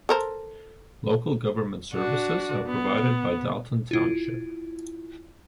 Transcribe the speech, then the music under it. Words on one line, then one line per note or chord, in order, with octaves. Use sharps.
Local government services are provided by Dalton Township.
A4 A#4 C5
D4 F#4
B3
E4 F4